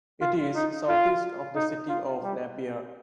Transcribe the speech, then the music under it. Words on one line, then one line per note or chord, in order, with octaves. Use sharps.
It is south-east of the city of Napier.
F4
D#4
F4
D#4
F4
G3